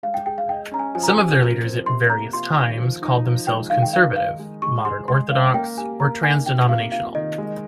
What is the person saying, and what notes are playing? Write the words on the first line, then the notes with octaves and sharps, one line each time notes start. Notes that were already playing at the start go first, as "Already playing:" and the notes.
Some of their leaders at various times called themselves Conservative, Modern Orthodox or trans-denominational.
G#3 F5
G5
G#4 G5
F5
D#5 G5
C#4 A#5
G#5
F3 G#5
A#5
G#5
G4
A#4
C4
C3 C6
A#3 A#5
F4 C6
D#3
F3
D#4
F3
G#3 G5
D#3 F5
G5
D#4 F5
D#3 F5
G#3
G#3 C#6
G#4 C6
G#3 C6
C#4 F5
A#3 G5
G4 G#5
A#4 A#5
D#4 G#5
C3 G5
A#3 F5
F4 F5
D#3 D#5
G#3